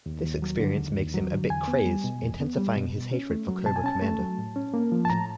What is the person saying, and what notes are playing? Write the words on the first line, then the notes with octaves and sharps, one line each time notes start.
This experience makes him a bit crazed, intensifying his hatred for Cobra Commander.
D#2
D#2
F#3
D3
D#2
D#2
F#3
D3
E2 G#5
B3
G3
B2
E2
B3
G3
B2
B2
C#4
A3
F#3
B2 A5
G#5
C#4 A5
A3
F#3
A2
C#4
A#3
F3
A5
A2 A#5